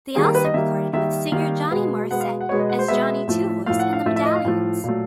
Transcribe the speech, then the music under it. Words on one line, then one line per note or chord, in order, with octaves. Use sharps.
They also recorded with singer Johnny Morrisette, as Johnny Twovoice and The Medallions.
D#3 G3 A#3 G#4
A#4
B4
D#5
D#3 G3 A#3 E5
D#3 G3 A#3 E5
D#3 G3 A#3 F5
B2 G#3 B3
B2 G#3 B3 F#5
F5
F#5
B2 G#3 B3 C#5
D#5
F#5
C5
B2 G#3 B3 E5
A2 F3 A3
A2 F3 A3 F5
F#5
F5
A2 F3 A3 E5
E5
D#5
F5
A2 F3 A3
A#2 F#3 A3